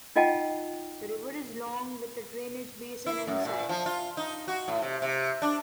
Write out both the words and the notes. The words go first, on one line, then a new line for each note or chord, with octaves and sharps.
The river is long, with a drainage basin in size.
D#4 F4 D#5 F#5 G5 A5
E4
F#2
A#2
F3
F4
D#4
F#4
A2
C3
C3
D4